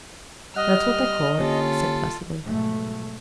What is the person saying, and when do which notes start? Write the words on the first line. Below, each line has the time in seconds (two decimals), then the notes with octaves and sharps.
"That's what they call it," he said, placidly.
0.56 G3 D#5 F#5 F6 F#6
1.39 D3 A#3 C#4 F4 G4 A4
2.45 G#2 B2 F3 F#3 G#3 A3